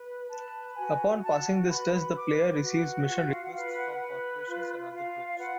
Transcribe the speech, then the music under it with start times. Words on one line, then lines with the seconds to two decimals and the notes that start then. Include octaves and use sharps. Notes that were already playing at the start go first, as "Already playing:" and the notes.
Upon passing this test, the player receives mission requests from corporations and other groups.
Already playing: B4
0.31 B4 A5
0.77 F#4 G#5
1.24 F#4 A5
1.70 B4 B5
1.93 B5
2.16 B4 D6
2.63 F#4
3.08 F4 F#5
3.32 F5
3.44 F#5
3.55 B4 F5
3.77 F#5
4.01 B4
4.47 F4
4.93 F4 F5
5.30 F5
5.39 B4 F#5